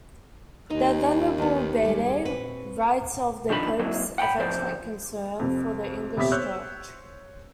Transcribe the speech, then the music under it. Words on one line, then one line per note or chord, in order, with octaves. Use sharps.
The Venerable Bede writes of the pope's affectionate concern for the English Church.
D#2 D#4
D#3 B3
G3 G#3
C4 F#4 B4
C2 D#3 F3 D4 G4 B5
F#2 F#3 G#3 A#3 C4 E4
F#5 G5 A5 B5
C#2 C3 F3 C5 D5
F2 C3
D#1 C3 B3 G4 E5 B6
C5 C#5 E6 F#6 G6